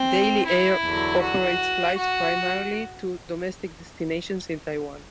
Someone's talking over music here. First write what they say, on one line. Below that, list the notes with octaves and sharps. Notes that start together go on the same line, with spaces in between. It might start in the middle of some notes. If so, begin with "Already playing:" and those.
Daily Air operates flights primarily to domestic destinations in Taiwan.
Already playing: C4
E4
E2 D3 F#3
F#4
F#4